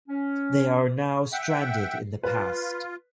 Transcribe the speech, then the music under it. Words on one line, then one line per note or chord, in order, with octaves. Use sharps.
They are now stranded in the past.
C#4
E5 F#5 G5
F4 B4